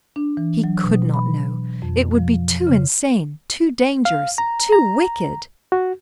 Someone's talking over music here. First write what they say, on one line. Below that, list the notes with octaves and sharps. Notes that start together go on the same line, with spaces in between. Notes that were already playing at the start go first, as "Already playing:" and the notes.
He could not know; it would be too insane, too dangerous, too wicked.
D4
E3
F#3
B2
B5
F2
F3
C#3
F5
A#5
A#5
F#4